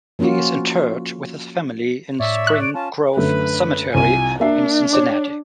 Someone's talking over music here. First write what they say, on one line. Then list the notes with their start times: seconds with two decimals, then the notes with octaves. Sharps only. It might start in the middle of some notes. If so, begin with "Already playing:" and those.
He is interred with his family in Spring Grove Cemetery in Cincinnati.
0.19 F3 A#3 C#4 F4 F#4
2.20 A2 C#5 D5 E5
2.47 F#6
2.62 D7
2.74 C#4 F4 A5
3.17 F#2 D3 A3 B4
3.95 C2 F4 G#5 D#7
4.40 A#3 D4 E5 C7
4.93 C#5 D6